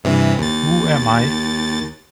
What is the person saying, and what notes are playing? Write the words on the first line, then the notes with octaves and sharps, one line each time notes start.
Who Am I?
G2 C3 E3
D#2 A6